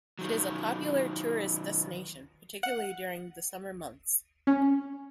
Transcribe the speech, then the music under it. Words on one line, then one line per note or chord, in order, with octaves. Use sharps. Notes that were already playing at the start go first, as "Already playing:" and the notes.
It is a popular tourist destination, particularly during the summer months.
D#3 F#3
F#5
C#4